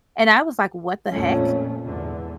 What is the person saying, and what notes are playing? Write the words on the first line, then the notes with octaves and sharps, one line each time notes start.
and I was like, "What the heck?"
F2 A#2 A3 C#4
E2 G#2 D3